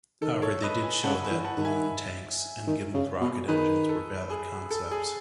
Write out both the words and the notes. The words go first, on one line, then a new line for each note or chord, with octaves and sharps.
However they did show that balloon tanks, and gimbaled rocket engines were valid concepts.
D#3 A4
A4 C#5
B4 D#5
G#5 B5
C#3 F#5 A5
G#5 B5
E3
F#5 A5
D#3
E5 G#5
D#3
C#3
B2
D#3 G#4 B4
A4
G#4
A4
G#4